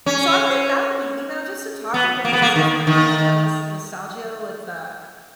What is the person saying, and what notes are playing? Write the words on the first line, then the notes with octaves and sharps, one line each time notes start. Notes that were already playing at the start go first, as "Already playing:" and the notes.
so I think that would be you know, just in talking with you as as we're kinda having this nostalgia with, uh, the
C#4
B3
A#3
B3
A#3
D#3
D#3